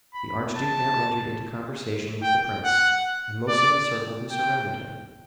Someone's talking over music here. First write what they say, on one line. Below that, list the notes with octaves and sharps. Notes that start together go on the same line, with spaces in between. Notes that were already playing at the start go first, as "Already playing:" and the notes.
The archduke now entered into conversation with the prince, and most of the circle who surrounded him.
B5
A5
G5
F#5
D5
G5